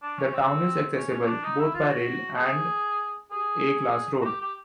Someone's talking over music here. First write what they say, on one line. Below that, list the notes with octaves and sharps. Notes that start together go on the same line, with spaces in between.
The town is accessible both by rail and an A class road.
D4
C#4
C4
C#4
C#4
D4
D#4
E4
F4
F#4
G#4
G#4
F#4
G4
G4